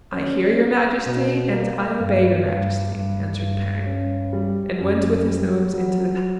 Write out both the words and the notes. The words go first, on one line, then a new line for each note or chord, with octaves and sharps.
"I hear Your Majesty, and I obey Your Majesty," answered Pang, and went with his nomes into the passage.
C#4
A#3
B2
A#3
G2
G2
G2
G2
C#4
G3
F#2
G3
F#3